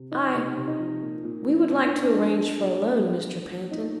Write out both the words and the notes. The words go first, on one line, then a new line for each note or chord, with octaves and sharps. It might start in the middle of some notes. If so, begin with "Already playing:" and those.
"I--we would like to arrange for a loan, Mr. Pantin."
Already playing: C3
F3 D#4
C3 D#4
C3
D#4
F3
A#2
A#2
F3
A#2 D4
A#2
D4
F3
A#2
A#2
F3
A#2
A#2
F3
A#2 D#4